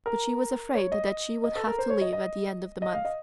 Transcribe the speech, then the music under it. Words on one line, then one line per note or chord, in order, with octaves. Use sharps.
But she was afraid that she would have to leave at the end of the month.
A#4
C#5
D#5
D#5
A4
A#4
C5
C#5
D#5
D#5
D#5
F5
D#5